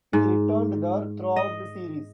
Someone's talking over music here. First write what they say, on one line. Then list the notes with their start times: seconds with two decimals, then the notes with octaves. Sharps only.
He returned there throughout the series.
0.13 G#2
1.36 D#5